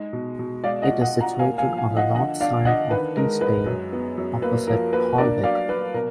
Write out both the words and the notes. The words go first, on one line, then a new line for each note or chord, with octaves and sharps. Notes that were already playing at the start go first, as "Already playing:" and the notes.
It is situated on the north side of Teesdale, opposite Holwick.
Already playing: G#3 D#4
B2
B2
G#3 D5 F5
D#5 F#5
F4
D#5 F#5
F4
F#5 A#5
A#3 F5 G#5
F5 G#5
F3
F5 G#5
F3
D#5 F#5
D3 D#5 F#5
D4 D5 F5
D3 D#5 F#5
D#3 B4
G#3 A#4
G#3 B4
F#2
B3
F#2
A#3 B4
F3 A#4
A#3 B4
D4 A#4 D5
F#3 D5 F5
F#3 B4
B2 A#4